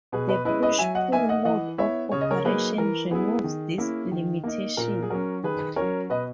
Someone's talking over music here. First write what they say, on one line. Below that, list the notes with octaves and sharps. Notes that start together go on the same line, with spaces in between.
The push-pull mode of operation removes this limitation.
B2 G#4 B4
B4 D#5
G#3 C#4 E4 B4 D#5
B4 D#5
F#3 E5 G#5
D#5 F#5
A#3 D#4 E5 G#5
D#5 F#5
E3 D#5 F#5
B3 E4 C#5 E5
C#3 C#5
D#5
A#4 C#5
F#3 A#3 D#4 G#4 B4
E3 A#4
B3 E4 G#4
D#3
A#3 C#4 E4
D#3
A#3 D#4
A#2 A#4
G#4
F#3 C#4 A#4
D#3 G#4 B4
F#3 C#4 A#4 C#5
B2 B4 D#5